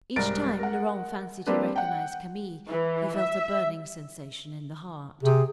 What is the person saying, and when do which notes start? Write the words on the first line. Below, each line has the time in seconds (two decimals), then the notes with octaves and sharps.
Each time Laurent fancied he recognised Camille, he felt a burning sensation in the heart.
0.16 C2 G#2 G3 A#4 A6 D7
0.59 A#4 F#5
1.47 G3 A#3 C4 D4 G4 B4
1.76 F#5 G5
2.69 E3
3.17 E5
5.23 C3 G#4